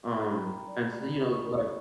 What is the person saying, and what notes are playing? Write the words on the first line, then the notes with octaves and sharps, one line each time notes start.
um, and so, you know, like
E4 B5
A#5
G5
A#4 A#5
D5
G4 B5
E4
C#6
A#4